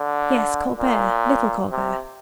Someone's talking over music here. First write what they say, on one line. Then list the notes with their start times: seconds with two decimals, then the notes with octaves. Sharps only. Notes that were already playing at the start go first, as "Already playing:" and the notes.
"Yes, Colbert, little Colbert."
Already playing: D3
0.77 A#2
1.71 C3